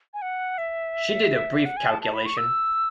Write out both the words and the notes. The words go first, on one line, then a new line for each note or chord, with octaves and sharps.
She did a brief calculation.
G#5
F#5
E5
F#5
G#5
A5
A5
B5
C#6
E6